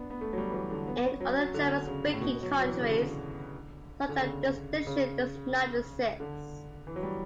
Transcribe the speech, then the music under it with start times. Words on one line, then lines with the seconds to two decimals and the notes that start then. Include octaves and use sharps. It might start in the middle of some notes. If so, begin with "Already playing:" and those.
In other German-speaking countries such a distinction does not exist.
Already playing: B3 D4
0.10 B3
0.21 A3
0.33 F#3
0.38 G3
0.50 E3
0.54 F#3
0.71 D3
0.88 B3
1.05 C#4
1.20 F#3
1.38 F#3
1.54 D3
1.87 C#3
2.13 A2
2.21 B2
2.43 F#3
2.58 F#3
2.65 E3
2.81 C#3
2.87 D3
4.09 D3
4.20 C#3
4.87 C#3
6.20 D3
6.87 E3
6.96 F#3
7.03 G3